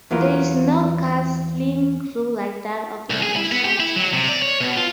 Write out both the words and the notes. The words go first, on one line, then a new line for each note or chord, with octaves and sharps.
There is no castling rule like that of international chess.
E2 E3 F#3 F4 A#4 B4
C2
G#4
E4
B3
G4
E4
F#3
C3
D5
C#5
B2
F4